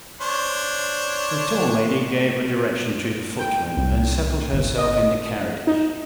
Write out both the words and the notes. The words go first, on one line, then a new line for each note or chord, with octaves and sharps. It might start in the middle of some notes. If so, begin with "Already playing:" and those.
The tall lady gave a direction to the footman and settled herself in the carriage.
D4 C5 C#5
G5
C2
G1
D#5
D#4